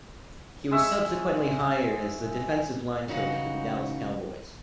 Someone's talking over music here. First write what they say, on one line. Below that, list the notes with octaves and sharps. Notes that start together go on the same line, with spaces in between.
He was subsequently hired as the defensive line coach for the Dallas Cowboys.
G#3 E5 C#6 E6
C#3 E3 D#4 F#4